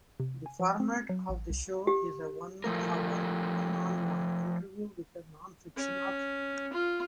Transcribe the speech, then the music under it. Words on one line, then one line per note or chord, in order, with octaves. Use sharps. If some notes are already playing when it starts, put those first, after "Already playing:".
The format of the show is a one-hour, one-on-one interview with a non-fiction author.
C3
G#5
F3
C4
F#3
A1
C2
G4
F3 A3 A#4
C#4
F4